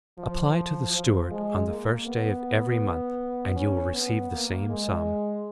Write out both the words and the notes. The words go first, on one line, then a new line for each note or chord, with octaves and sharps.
"Apply to the steward on the first day of every month, and you will receive the same sum."
F3
F3
G#3
A#3
B3
C#4
B3
A#3
G#3